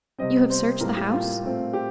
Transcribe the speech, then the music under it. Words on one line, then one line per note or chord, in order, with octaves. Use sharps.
"You have searched the house?"
C3 G3 C4 D#5
C5
A2 G3 A#3 A#4
G4
F4
A#2 A3 C4
G4